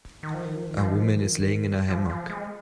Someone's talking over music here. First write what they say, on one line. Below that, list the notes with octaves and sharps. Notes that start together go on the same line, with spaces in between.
A woman is laying in a hammock.
D#3
F3
D#3
F3
D#3
F3
D#3
F3
D#3
F3
D#3
F3
F3
G#3